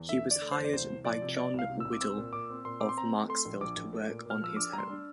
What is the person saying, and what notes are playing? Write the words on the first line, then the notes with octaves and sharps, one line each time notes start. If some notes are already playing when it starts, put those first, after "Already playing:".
He was hired by John Waddill of Marksville to work on his home.
Already playing: E2
D3 E5
D3
D5
A3
C5
E2
D5
C2 C5
C2
F3 D5
C3
C3 D5
C2 F5
C3
C2 E6
D6
C4 E6
A#2
A#2 D6
C4
A#2 C6
C4 D6
C6
C4 A#5
C4
A3 C6
A#1
A#1 D6
A#1
A3
A#2
A#2 F6
F3 E6
D4 D6
G3 A#5
C6
D4